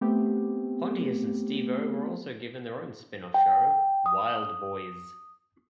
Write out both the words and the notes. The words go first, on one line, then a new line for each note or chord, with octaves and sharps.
Pontius and Steve-O were also given their own spin-off show "Wildboyz".
A3 B3 C4 G4
G5
D#6